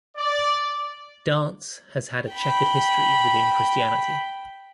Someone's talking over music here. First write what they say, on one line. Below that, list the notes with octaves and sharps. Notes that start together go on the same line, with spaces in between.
Dance has had a chequered history within Christianity.
D5
G5 B5